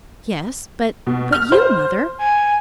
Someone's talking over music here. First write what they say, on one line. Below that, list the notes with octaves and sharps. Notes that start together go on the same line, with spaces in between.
"Yes--but--but you, Mother?"
B2
F6
C5
G#5